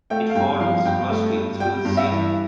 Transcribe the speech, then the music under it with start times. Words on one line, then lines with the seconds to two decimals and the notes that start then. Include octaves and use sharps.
It followed Broad Street through the city.
0.10 A3 G5
0.29 F5
0.35 G2 G5
0.60 F3 F5
0.85 G2 G5
1.10 A3
1.35 G2
1.60 G3 G5
1.85 G2
1.97 E5
2.10 E3